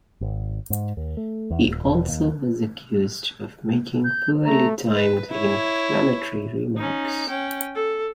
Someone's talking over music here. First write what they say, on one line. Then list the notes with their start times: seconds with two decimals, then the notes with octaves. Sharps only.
He also was accused of making poorly timed inflammatory remarks.
0.21 G#1
0.70 G#2
0.97 D#2
1.17 A3
1.51 E2
1.66 D#1
1.85 E1
2.08 D#2
4.04 G6
4.45 A3 A#5
4.94 B4
5.30 E4 C#5
6.77 C#4 D#4
7.29 C#4 G5
7.75 A4